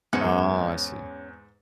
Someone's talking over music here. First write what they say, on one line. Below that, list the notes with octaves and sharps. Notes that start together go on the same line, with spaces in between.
Oh, I see.
E2 G#2 C#4 C5 F#5